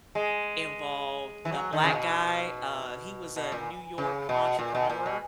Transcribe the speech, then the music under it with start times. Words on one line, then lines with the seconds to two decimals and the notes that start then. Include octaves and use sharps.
involved a black guy, uh, he was a New York entrepreneur
0.15 G#3
1.45 E3
1.52 F#3
1.73 D#3
1.84 C#3
1.94 B2
3.36 B2
3.52 A#2
3.98 C#3
4.29 B2
4.59 A#2
4.75 B2
4.90 A#2
5.06 B2